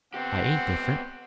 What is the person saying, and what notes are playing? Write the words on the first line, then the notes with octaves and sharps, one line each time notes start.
I ain't different.
B3 C4 G4 F#5